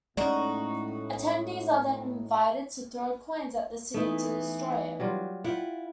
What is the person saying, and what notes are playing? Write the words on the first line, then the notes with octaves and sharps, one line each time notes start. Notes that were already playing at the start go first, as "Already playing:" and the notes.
Attendees are then invited to throw coins at the city to destroy it.
A2 G#3 C#4 D#4 F#4 D5
E3 A3 B3 D#4 E4
F#3 G3 F4
E4 F4 F#5 G5